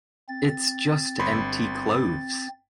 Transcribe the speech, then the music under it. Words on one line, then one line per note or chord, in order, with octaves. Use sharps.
It's just empty clothes.
C4 A6
G1 B5 C6